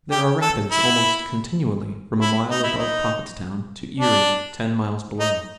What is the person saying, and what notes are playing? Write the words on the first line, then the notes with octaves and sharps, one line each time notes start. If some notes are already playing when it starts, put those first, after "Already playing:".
There are rapids, almost continually, from a mile above Prophetstown to Erie, ten miles below.
G4
A4
E4
E4
D#4
E4
D#4
D4
D#4